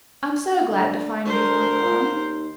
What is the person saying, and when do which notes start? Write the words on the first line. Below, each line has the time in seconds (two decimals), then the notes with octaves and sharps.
"I'm so glad to find you've not gone."
0.70 D3
1.25 D2 A#4 C5
1.81 A#2
2.12 D#2